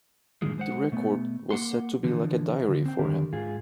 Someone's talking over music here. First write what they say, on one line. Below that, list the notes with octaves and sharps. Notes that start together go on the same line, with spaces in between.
The record was said to be like a diary for him.
G2 A#2 D3 D#3 F3 G#3
G#3 C5 F#5
B2 A3 B3
A#3 F#5 C6
D3 E3 F3
D3
C4 G5
D3 D#3 G4 A#4
G#2 F4 G#4